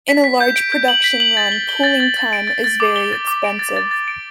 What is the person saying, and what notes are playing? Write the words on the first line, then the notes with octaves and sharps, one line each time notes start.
In a large production run cooling time is very expensive.
B6
B6
G6
D7
G6
F#7
B6
F#7
A6
G7
G7
A6
A6
A6
D7
A6
A6
D6
G7
A6
D6
D7
A6
A6
A6
D7